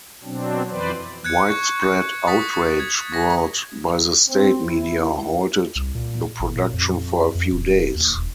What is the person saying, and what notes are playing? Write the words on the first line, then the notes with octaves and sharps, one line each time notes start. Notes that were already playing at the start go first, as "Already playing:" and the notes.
Widespread outrage brought by the state media halted the production for a few days.
B2 F#3 C4 D4
F2 E3 B4 C5 D5
F#6 G#6 C#7
C#6
C#6 D#6 A6 B6
G#6
A#6
C4
E4
C2
A#2
G#1
A#2
F2
F2
D#1
D#2
D#1